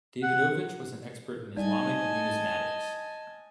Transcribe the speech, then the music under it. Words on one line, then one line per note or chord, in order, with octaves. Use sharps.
Davidovich was an expert in Islamic numismatics.
F#5
G3 D#4 D5 D#5 G#5 A5